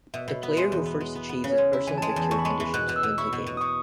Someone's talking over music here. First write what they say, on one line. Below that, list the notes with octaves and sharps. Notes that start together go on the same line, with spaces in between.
The player who first achieves his personal victory conditions wins the game.
B2 E5
B2
B3
G#3
E2
B3
G#3
B3
B3
C#3
G#3
E4
E3 G#5
G#3 A5
G#5
E2 A5
E2 C#6
B5
G#3 C#6
E3
B2 F#6
B2
E6
B2
E4 C#6
B2
B2
D#6
B2 C#6